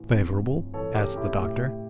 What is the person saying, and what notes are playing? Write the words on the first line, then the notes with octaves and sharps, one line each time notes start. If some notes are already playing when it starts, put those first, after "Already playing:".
"Favorable?" asked the Doctor.
Already playing: A1 E3
F2
G1
E3 A4 C#5
G4 A#4
C#3
E4 G4
A2 E4 G4